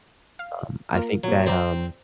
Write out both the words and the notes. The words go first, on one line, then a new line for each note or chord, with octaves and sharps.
um, I think that, um
F5
A#3 F4 A#4
A#2 F#3 A#3
F3 C4 D5 A#5